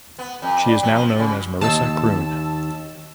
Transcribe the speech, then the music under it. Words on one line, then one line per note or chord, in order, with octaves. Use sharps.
She is now known as Marissa Kroon.
B3
F2
D4
F#3
F3
C#3
D#2 A5 E6